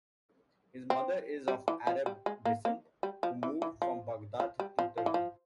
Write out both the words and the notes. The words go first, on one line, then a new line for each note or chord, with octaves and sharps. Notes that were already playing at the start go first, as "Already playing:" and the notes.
His mother is of Arab descent who moved from Baghdad to Turkey.
C4
G3
E3
F3
G3
G#3
A#3
A#3
G3
F3
E3
E3
F3
F3
G3
F3
F3
E3
F3